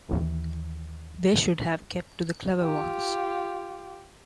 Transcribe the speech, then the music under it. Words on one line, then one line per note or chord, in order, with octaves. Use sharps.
They should have kept to the clever ones.
D#2 E3
F4 G4